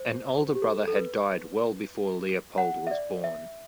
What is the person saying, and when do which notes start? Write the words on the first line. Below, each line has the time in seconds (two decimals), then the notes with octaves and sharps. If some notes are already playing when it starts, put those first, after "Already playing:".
An older brother had died well before Leopold was born.
Already playing: C5
0.55 G4
0.62 A4
0.88 A4
0.95 B4
2.58 F#5
2.87 E5
2.91 D5
3.24 E5